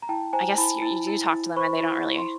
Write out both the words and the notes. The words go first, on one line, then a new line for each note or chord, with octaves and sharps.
I guess you you do talk to them and they don't really
A#5
E4 G5 A5
C5 G#5 A#5
E4 A5 B5
E4
E4
E4
C5 B5 C#6
E4
E4
C6